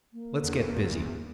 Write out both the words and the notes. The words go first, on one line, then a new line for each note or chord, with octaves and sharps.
Let's get busy.
A#3
E2